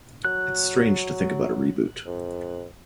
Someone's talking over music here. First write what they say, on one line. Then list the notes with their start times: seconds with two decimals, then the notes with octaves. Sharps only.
It's strange to think about a reboot.
0.25 F#3 F#6
2.06 F2